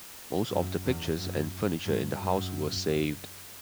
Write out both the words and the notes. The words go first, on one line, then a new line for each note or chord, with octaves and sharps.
Most of the pictures and furniture in the house were saved.
F#2
E2
F#2
G2
F#2